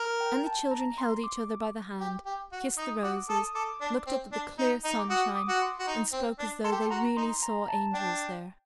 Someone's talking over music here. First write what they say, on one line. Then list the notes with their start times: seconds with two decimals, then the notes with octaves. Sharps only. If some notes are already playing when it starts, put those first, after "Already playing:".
And the children held each other by the hand, kissed the roses, looked up at the clear sunshine, and spoke as though they really saw angels there.
Already playing: A#4
0.21 G5
0.46 A5
0.71 A#5
0.98 C6
1.24 D6
2.00 G4
2.26 G4
2.52 F#4
2.77 D#4 D#6
3.03 F#4 D6
3.29 A4 D#6
3.55 A4 D6
3.81 D4
4.07 C4
4.33 D4
4.58 D#4
4.84 D#4
4.99 D6
5.10 F#4 D#6
5.31 D#6
5.35 D6
5.49 F#4
5.62 C6
5.79 F#4
5.88 D#4
6.13 C4
6.39 D4
6.64 A4 C6
6.72 G4
6.80 A4
6.90 F#4 A#5
7.17 D#4 C6
7.42 A#5
7.69 A5
7.94 D4 G5